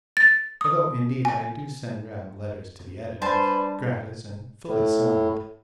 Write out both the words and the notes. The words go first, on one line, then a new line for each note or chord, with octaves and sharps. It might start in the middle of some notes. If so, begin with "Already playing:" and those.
Though indeed I do send round letters to the editors gratis and fully signed.
A6
D#6
G#5
G3 D4 B4 C5 G#5 A5
A2